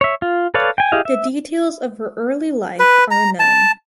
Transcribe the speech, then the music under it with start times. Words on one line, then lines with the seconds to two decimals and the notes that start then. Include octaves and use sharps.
The details of her early life are unknown.
0.01 C#5 E5
0.22 F4
0.54 A4 B4 C#5 D5 F5
0.78 G5 G#5
0.92 E4 G4 G#4 D#5 F5
1.05 E5
2.79 B4
3.11 A#5
3.39 A5